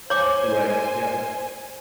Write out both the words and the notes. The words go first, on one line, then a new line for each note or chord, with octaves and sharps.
Right, yeah.
C5 C#5 G#5 D6